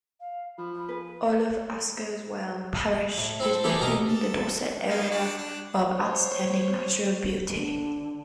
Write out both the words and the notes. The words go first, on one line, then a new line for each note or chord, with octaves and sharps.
All of Askerswell parish is within the Dorset Area of Outstanding Natural Beauty.
F5
F3 B5
G#4 B4
A2
C4 E4 A4
E3 G#3 E4 G4 A4
B2 G4 A#4 D#5
A4
G3 A#3 D#4
D4 F#4 D5
D4
C5 C#5
D3